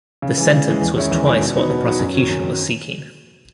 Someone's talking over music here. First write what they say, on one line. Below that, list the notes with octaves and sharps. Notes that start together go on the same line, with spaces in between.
The sentence was twice what the prosecution was seeking.
C#3
E3 G#3
C#3
E3 G#3
E2
D#3 G#3 C#4 E4
E2
D#3 G#3 C#4 E4
B2
F#3 B3 D#4
B2
F#3 B3 D#4
F#2
D#3 F#3
F#2
D#3 F#3